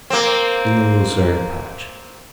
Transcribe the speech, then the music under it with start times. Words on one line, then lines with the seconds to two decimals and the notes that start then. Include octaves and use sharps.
In the Lucerne Patch.
0.10 A#3 C4